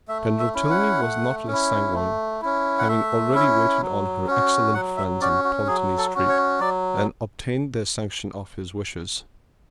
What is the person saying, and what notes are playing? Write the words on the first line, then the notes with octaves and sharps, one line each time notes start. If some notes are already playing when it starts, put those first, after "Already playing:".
General Tilney was not less sanguine, having already waited on her excellent friends in Pulteney Street, and obtained their sanction of his wishes.
A3 E5
E5
C#4 E4
F#5
A3
C#4
E4
A3
C#4 E4
F#5
A3 E5
C#4 E4
F#3
C#4 F#4
F#3 F#5
E5
C#4 F#4 D5
F#4
F#3 G#4
A4
C#4 F#4
C#5
F#3 D5